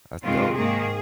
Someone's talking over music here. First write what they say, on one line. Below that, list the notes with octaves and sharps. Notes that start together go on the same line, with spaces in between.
That's dope.
F2 C3 D#3 G#3 C4 F4
G#2 D#3 A#3 G#4